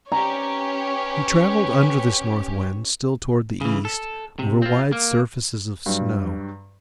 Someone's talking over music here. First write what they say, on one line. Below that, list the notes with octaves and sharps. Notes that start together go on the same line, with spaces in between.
He travelled under this north wind, still towards the east, over wide surfaces of snow.
C#4 G4 B4 C#5 A#5
C#3 E3
A4
C3
C4 F4
A#3
G2 F#3 G3